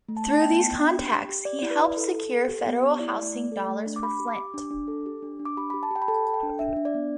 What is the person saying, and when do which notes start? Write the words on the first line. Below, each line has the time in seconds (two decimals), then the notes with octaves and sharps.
Through these contacts he helped secure federal housing dollars for Flint.
0.09 A3
0.17 A5
0.25 A3
0.31 A5
0.42 B3 G5
0.60 B3
0.78 D4
0.94 G4
1.11 G4
1.29 G4
1.45 G4 D5
1.59 E4 D5
1.71 B4
1.80 E4
1.97 A4
2.14 A4
2.31 A4
2.49 G4
2.66 B3
2.82 G4
2.99 E4 D5
3.17 A3
3.34 A3
3.52 A4
3.69 A3
3.86 D4
3.96 D6
4.02 G4 B5
4.20 G4
4.28 D6
4.37 G4
4.54 D4
4.71 D4
4.88 A4
5.06 G4
5.22 D4
5.39 D4
5.45 D6
5.57 G4 B5
5.70 G4 B5
5.83 A5
5.91 G4 G5
6.02 B5
6.08 A4 A5
6.25 A4
6.34 G5
6.43 D4
6.59 D4 E5
6.77 D4
6.85 D5
6.94 B3